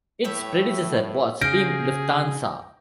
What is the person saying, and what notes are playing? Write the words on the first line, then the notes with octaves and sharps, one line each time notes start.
Its predecessor was Team Lufthansa.
A2 G4 C#5 E5
C#3 F#4 G#4 F5 G6 A#6 D7